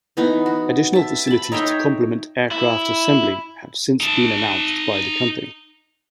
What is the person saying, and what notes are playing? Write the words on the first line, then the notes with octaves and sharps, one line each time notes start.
Additional facilities to complement aircraft assembly have since been announced by the company.
E3 B3 D#4
F#4
E5 A5
A5 B5
D#4 C#5 E5 G5
E4
D#4 A5